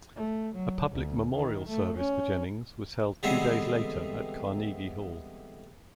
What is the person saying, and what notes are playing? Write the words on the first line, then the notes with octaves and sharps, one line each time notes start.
A public memorial service for Jennings was held two days later at Carnegie Hall.
A3
F#3
D2
D#3
A3
C#4
D3 E3 G3 G#3 B3 C4